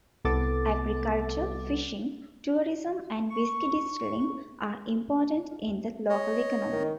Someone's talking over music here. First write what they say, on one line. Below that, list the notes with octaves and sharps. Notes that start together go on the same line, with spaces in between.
Agriculture, fishing, tourism and whisky distilling are important in the local economy.
C2 B3 A4 D6 A6
C#6
C#5 D#5
D#3